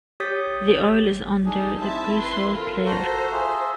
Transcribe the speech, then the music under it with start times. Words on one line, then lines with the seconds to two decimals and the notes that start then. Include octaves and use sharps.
The oil is under the pre-salt layer.
0.20 G4 C#5 D#6 G6 A6 B6
1.45 G3 D4 D#4 G#4
1.81 C4 E4 E5 A5
2.20 B4 C6
2.50 F4 A4 A#4
2.85 F#4 A4 C5 A#5
3.32 F4 G#4 E5